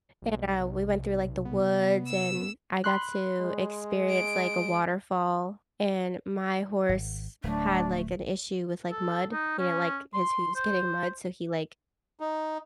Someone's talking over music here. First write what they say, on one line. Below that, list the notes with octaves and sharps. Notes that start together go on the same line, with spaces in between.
and, uh, we went through, like, the woods and I got to experience, like, a waterfall and my horse had, like, an issue with, like, mud, you know, like his hooves getting mud, so he, like,
B1
C3
B3
E6
B5 C6 F#6
G#3
D7
G#1
D1 F#3 A3 D4
A4
D#4
C#4
C6
C5
D#4